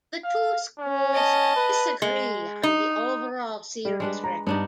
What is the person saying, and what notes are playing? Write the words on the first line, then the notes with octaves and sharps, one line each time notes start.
The two schools disagree on the overall series record.
F5
C#4
D#5 A5
B4
G#3
D#4
G3
G#3 D4 B4
A#5
G2 B3 D4 D#4